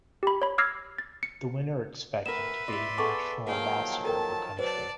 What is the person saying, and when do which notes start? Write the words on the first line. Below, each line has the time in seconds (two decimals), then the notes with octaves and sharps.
The winner expected to be national ambassador of her country.
0.23 G4 B5
0.42 C#5 B5
0.58 D6 E6 F6 G#6 A#6 C7
0.98 A6
1.23 C#7
2.26 D2 B3 A#4 B4 E5 E7
2.68 E4 D5 D#5 C6
2.98 B3 G#4 A4 C#6 D6
3.47 D#3 F3 F#3 A#3 G#4 F5 G5
4.05 A4 A#4 G5 A5
4.58 F#3 B4 C5 D5 A5